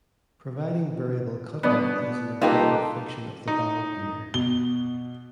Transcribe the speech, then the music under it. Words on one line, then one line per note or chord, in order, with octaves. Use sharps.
Providing variable cutoff is an important function of the valve gear.
B2 B3 D4 D#6
A#3 D#4 F4 G4 A4 B4
D#4
B2 G7